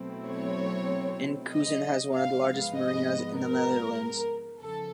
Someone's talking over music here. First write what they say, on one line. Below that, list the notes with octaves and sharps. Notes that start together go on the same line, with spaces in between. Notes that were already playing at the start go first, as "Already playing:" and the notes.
Enkhuizen has one of the largest marinas in the Netherlands.
Already playing: B2 F#3 A3 C4 E4
C#5
D#5
G#2 F3 G#3 B3 F5
D#5
A#4
E2 C#3 F3 A4